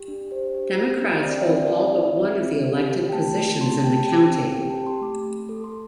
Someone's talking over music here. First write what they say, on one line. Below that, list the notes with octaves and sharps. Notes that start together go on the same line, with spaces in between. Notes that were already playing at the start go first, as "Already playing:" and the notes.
Democrats hold all but one of the elected positions in the county.
Already playing: G4
D4
G4 C5
G4
G4
D4
C4 D5
G5
E5
C4
D5
E4
D5
E4
E5
C4
C4
G4
G4
G5
A3 A5
A3
A5
A3 C6
A5
G4 G5
A5
C4 G5
C4
G4 G5
A5
G4
C6
A3 D6
A3
A4
C6
A4